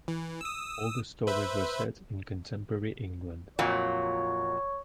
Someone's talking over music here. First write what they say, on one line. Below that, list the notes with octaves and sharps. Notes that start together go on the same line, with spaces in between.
All the stories were set in contemporary England.
E3
D#6 E6
B4 C5 E5
F2 A#2 F#3 C#5